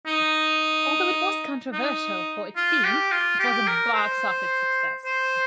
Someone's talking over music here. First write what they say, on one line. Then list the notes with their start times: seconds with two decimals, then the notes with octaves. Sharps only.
Although it was controversial for its theme, it was a box-office success.
0.06 D#4
1.73 D#4
2.56 F4
2.84 G4
3.11 F4
3.40 G4
3.67 A#4
3.94 C5
5.06 C5